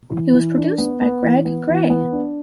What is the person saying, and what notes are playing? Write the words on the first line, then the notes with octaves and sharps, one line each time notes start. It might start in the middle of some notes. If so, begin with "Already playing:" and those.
It was produced by Gregg Gray.
E3
E3
D4
B3
B3
E3
B3
E3
B3
D4